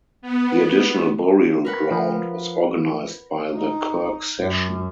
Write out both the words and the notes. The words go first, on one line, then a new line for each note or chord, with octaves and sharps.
The additional burial ground was organised by the kirk session.
B3
A#4 B4 F#5
F3
D#4
F#2